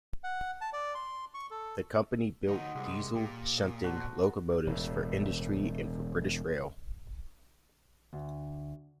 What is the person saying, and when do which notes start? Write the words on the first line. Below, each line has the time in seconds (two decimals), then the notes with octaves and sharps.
The company built diesel shunting locomotives for industry and for British Rail.
0.24 F#5
0.61 A5
0.73 D5
0.95 C6
1.34 C#6
1.51 A4
2.48 D2 F#3 D#4 D#5 C6
2.75 C2 G#3 G4 D#5
3.15 A#2 G4
3.84 F#4 A4 C5
4.67 E1 A2
8.13 D2